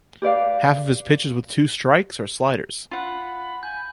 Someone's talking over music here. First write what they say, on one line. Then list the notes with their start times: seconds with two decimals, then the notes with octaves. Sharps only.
Half of his pitches with two strikes are sliders.
0.22 G4 B4 D5 F5
2.91 F4 F#5 B5
3.63 G#5 G6